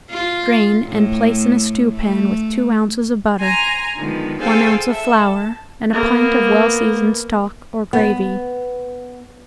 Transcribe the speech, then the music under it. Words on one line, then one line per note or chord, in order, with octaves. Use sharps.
Drain and place in a stew pan with two ounces of butter, one ounce of flour and a pint of well seasoned stock or gravy.
F4
A2
A3
G#5 A#5 C6
D3 D#3 F3 G#3 B3
G#4 A4 C5 F5 G5 G#5
A4 E5
A5
A#3 B3
B3